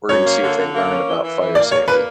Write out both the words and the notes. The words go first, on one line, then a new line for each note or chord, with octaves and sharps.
we're going to see if they learned about fire safety,"
F#2 C#5
A#3
D3
D3
A#3
C#4
E3
E3
E3
A#3 D5
E2 C#5
A#3 B4